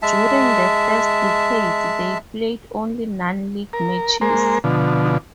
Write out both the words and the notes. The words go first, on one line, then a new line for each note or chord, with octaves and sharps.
During the first decades, they played only non-league matches.
G#3 E5 A5
A#4
G#3 A#3 A#4 C5
B2 D3 F3